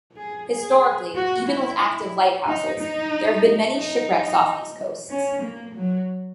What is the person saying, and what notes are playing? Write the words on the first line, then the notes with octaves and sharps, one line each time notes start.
Historically, even with active lighthouses, there have been many shipwrecks off these coasts.
G#4
G#4
F#4
E4
E4
D#4
D#4
D#4
C#4
A#3
F#3